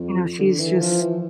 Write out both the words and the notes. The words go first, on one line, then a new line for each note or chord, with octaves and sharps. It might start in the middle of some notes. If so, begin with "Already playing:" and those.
you know, she's just
Already playing: F2
D3
E3
F3
E3